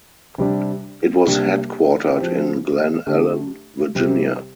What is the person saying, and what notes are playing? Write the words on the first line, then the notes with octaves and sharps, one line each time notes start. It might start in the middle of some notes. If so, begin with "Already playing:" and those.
It was headquartered in Glen Allen, Virginia.
C3 G3 D4
C3 G3 A#3 D4 G4
F3 C4 G4
D3 A3 D4 G4
C3 G3 C4